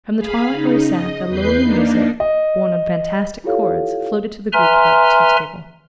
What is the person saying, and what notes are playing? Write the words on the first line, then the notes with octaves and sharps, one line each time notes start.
From the twilight where he sat a lonely music, borne on fantastic chords, floated to the group about the tea-table.
G#4 F5 B5
C#3 D#4
D#5
E2 B4 G6 C7
A#3 D4 D#4
D#5
E4 F4 G4 A4 C#5 F5
B4 E5 G#5 A#5 C6 F6